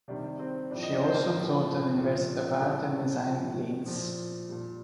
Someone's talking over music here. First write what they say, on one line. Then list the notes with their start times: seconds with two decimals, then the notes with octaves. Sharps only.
She also taught at University of Art and Design Linz.
0.08 C3 D#3 G3 D4
0.39 C4
0.71 A2 F3 D4
0.83 D#5
0.93 D5
1.04 C5
1.13 A#3 A#4
1.34 A2 F3
1.97 A#2 F3
2.60 A2 G3 A3 A4
3.23 A2 F3
3.86 A#2 F3
4.49 A#2 G3